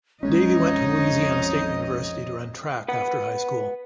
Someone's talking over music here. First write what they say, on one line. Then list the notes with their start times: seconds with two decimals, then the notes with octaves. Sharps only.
Davy went to Louisiana State University to run track after high school.
0.23 A#1 F2 G#3 C#4 D#4 C#5 D#5
2.88 B4 F#5